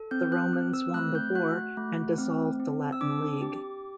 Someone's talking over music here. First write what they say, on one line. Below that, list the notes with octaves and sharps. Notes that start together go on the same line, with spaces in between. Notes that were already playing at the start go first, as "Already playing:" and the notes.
The Romans won the war and dissolved the Latin League.
Already playing: A4
C4 G6
F#6
C4
E6
A3 F#6
G6
F#4 F#6
A3
C4
C4
E6
D4 D6
G4